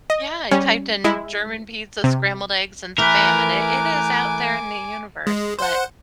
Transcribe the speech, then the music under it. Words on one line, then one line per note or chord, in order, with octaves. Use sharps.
yeah I typed in "German pizza, scrambled eggs, and spam." And it it is out there in the universe but
D#5
G3 C#4
G#3 E4
C3
E3 A3 A#4 B4 G#5 D6
G#3
C5 F#5